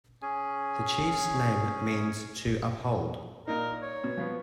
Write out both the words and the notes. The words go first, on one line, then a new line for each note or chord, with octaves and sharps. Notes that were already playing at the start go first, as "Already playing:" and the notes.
The chief's name means to uphold.
C#4 G#4 G#5
A#2 D#4 A#4
C#5
B2
F3 B3